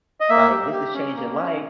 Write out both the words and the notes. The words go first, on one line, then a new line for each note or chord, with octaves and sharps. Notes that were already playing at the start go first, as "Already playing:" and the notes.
like, this is changing life,
D#5
A#3 E5
G4
G4
C#4
A#3
C#4